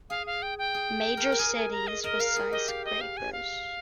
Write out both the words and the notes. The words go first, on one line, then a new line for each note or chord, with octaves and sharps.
Major cities with skyscrapers.
G#4 F5
F5
G5
G5
G#4
A#4
A#4
G#4 G#5
G#5
A#5
D#5
A#4 D#5
A#4 F5
G#4
G4 D#5
G4 F5
D#5
F5
G#5
F5